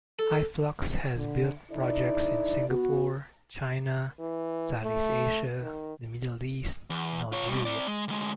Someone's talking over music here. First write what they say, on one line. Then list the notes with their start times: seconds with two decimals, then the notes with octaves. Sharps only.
Hyflux has built projects in Singapore, China, Southeast Asia, The Middle East, and Algeria.
0.19 A4
1.16 D3
1.71 D3 D#4 E4 D5
2.69 B3 F#4
4.20 E3
4.83 A3
5.62 D#3
6.90 E2
7.32 F4 C#5
7.49 G2 B2
7.65 C4 D5
7.87 G#3
8.08 D2 G#3